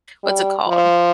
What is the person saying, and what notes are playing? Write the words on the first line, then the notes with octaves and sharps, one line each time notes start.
what's it called?
G3
F3